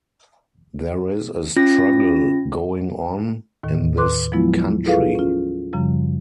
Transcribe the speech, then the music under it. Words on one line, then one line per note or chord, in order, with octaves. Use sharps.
There is a struggle going on in this country.
C#4 F4 A#6
D#2 A2 D#3
B4 C6 D6 F#6
F3 F#3 G#3 B3 E4 F4
E4 F4 G#4 A4 B4 F5
C#4 F4
F#2 C#3 F3 G3